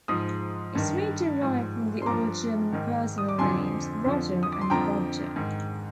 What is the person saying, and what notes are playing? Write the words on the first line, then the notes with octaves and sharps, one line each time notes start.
It may derive from the Old German personal names "Roger" and "Rodger".
G#2 F3 C6 D#6
G2 D#3
G#2 F3
C6
G2 F3 A#5 D6
G#2 D#3
D#6
D6
F2 D3 F3 G#5 C6
F2 D3 F3
D#6
D6
C6
F2 D3 F3 G5 A#5
G#2 D#3